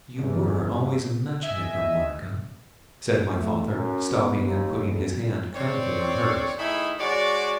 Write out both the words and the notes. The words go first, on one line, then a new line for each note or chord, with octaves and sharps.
'You were always a match-maker, Monica,' said my father, stopping, and putting his hand kindly on hers.
G1 E2 G2 C#3 E3
D#5 E5 G#5
A3
F#2
B3
D#2
B1
C4 C#5 D5
A2 D#3 D#4 E4 G#4 B5
G#3 F#4 C#5 D5